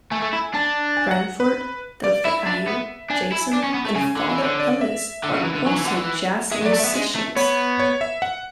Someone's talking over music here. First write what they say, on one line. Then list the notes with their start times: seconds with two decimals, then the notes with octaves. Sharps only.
Branford, Delfeayo, Jason and father Ellis are also jazz musicians.
0.11 A3 G#5
0.22 A3
0.33 E4
0.54 D4 A5
0.97 G#5
1.11 F#5
1.40 B4
2.04 D5
2.25 E4 E5
2.46 D4
2.68 B3
3.10 D4 G#5
3.32 E4
3.53 D4
3.64 C#4
3.74 B3
3.85 A3
3.95 C#3 G#5
4.17 D3
4.30 E3
4.38 D3 C#5
4.60 D5
4.81 E5
5.24 D3
5.34 C#3
5.40 F#3
5.45 E3
5.55 D3
5.66 F#3 G#5
5.76 E3
5.86 D3 F#5
5.96 E3
6.51 G#3 E5
6.62 F#3
6.66 D5
6.73 A3
6.80 B3 E5
6.94 G#3
7.15 A3
7.36 B3 C#5
7.79 C#5
8.01 E5
8.22 F#5